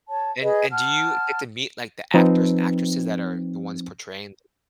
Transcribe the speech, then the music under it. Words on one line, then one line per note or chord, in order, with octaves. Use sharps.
And and do you get to meet, like, the actors and actresses that are the ones portraying
C#5 A5
G#4 B4 D#5
F#5 A5 F6
F3 C4 D#4 B4